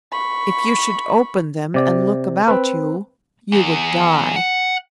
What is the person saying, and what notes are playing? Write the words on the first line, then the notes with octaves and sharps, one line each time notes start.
If you should open them and look about you, you would die.
B5 C#6
C3 D5
C4 B4
E2
F#5